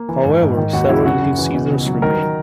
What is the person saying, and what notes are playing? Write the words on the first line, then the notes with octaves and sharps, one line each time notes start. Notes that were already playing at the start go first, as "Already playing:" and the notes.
However, several Little Caesars remain.
Already playing: A#3
E3
G#2
G#2
D#3
D#2 F#4
F#3 E4
C#3 F#4
F#2
E3
B2
C#2
F#3
D#3 A#4